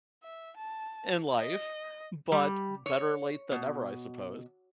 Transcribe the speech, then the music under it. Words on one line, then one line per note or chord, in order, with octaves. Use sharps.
in life, but better late than never, I suppose.
E5
A5
D#5
G3
C#5
B2